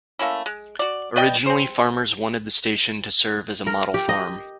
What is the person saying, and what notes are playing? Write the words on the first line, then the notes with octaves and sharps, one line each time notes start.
Originally, farmers wanted the station to serve as a model farm.
A3 A#3 C#4 E4
G#3
F#4 D5
B4 D5 D#5 G5
C4 C5
A#4
G4
D#5